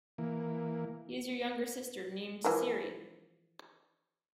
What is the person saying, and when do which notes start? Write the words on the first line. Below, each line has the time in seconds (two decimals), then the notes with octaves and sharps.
He has a younger sister named Ciri.
0.18 E3 A#3
2.44 E3 F3 A#4